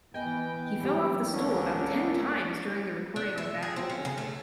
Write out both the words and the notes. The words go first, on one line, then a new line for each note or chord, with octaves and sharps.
He fell off the stool about ten times during the recording of that vocal.
E3 B3 D#5 G5 G#5
E3 F#3 G3 G4
D2 D3 G#3 A#3 C#4
D4
E5
G#4
C4
C#4
C#3
A3